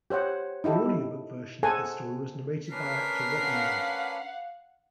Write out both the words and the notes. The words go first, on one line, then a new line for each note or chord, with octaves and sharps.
The audiobook version of this story was narrated by actor Rob Lowe.
G4 C5 C#5 F#5
D#4 E4 G4 A4
G#4 A4 C5 F#5 G#5
A3 C#4 D4 A#4 B4 B6 C7
F5 F#5